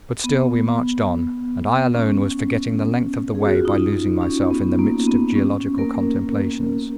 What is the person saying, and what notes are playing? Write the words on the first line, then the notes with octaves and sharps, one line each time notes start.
But still we marched on, and I alone was forgetting the length of the way by losing myself in the midst of geological contemplations.
B3
C#4
G#4
F#4
F4
D#4
D#4
C#4
B3
A#3
B3
C#4
A#3 A#4